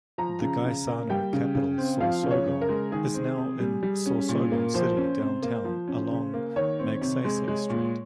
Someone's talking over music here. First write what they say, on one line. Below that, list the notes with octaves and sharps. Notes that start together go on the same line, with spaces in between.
The Gaisano Capital Sorsogon is now open in Sorsogon City downtown along Magsaysay Street.
F3 A#5
C#3
C#3
A#3
G3 G5
C#3
C#3
C4
F3 F5
C#3
C#5
C#3
A#4
G#3
D#3 G#4
C4
C3
G3
G3
C#4
A#2
A#3
F3 C5
C#4
C3
A#3
F3
C#4
C#3
A#3
D#3 C#5
C4
C3
G#3
G#3
A#2